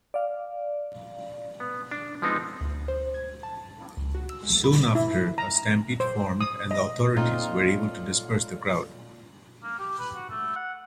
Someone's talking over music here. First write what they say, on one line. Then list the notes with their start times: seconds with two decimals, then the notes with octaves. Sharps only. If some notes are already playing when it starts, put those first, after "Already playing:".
Soon after, a stampede formed and the authorities were able to disperse the crowd.
0.14 D5 F5
1.60 B3
1.91 D4
2.22 F3 G#3 B3 C4 D#4
2.61 D2
2.88 C5
3.14 G#6
3.43 A5
3.97 C#2
4.15 F#4
4.30 E6
4.43 G#3
4.64 B5
4.95 E4
5.38 A#5
6.00 C5
6.41 D#6
6.71 D#5
7.17 A#2 C4 D#4 F4 A4 C#5
9.63 A#3
9.79 G4
9.99 B4
10.15 F#4
10.30 A3
10.56 F#5